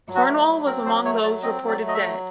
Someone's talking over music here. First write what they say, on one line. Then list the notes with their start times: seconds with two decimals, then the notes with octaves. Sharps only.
Cornwall was among those reported dead.
0.08 F#3
0.15 F#4
0.29 A3
0.47 F#3
0.67 C4 A#4
0.85 F#3 C5
1.05 A3 C#5
1.23 F#3 D5
1.43 C4 D#5
1.62 F#3
1.68 D5
1.81 A3
1.88 D#5
1.94 E5
2.00 F#3